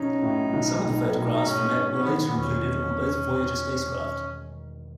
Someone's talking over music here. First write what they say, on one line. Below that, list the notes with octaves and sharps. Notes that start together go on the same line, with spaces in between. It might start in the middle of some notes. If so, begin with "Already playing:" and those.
Some of the photographs from it were later included on both Voyager spacecraft.
Already playing: B1 C#4 D#4
A2
B1
B1
B2
D#4
G#2 C#4
G#2
C#4
B3
D#3
B3
E1 C#4